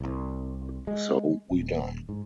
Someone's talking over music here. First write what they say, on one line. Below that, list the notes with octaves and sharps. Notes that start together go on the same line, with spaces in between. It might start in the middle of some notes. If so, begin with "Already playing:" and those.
So we die.
C2
G#3
D#1
G#2